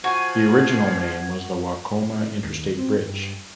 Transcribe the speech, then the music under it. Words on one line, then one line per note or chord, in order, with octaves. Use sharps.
The original name was the Waucoma Interstate Bridge.
F3 F#4 F#5 G#5 G#6
A2
D#2
C4
G2